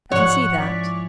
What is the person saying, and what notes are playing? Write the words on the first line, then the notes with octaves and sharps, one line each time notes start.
I can see that.
G#2 F3 C#5 F#5 C#6
C#4 E4 D5 B6